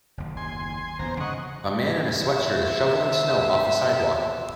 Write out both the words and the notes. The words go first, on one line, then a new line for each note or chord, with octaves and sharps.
A man in a sweatshirt is shoveling snow off a sidewalk.
F#1 D#2
G#5 C6
G1 E2 B3 C5 A#5
C#3 D#5 F#5 C#6
B3 C5 E5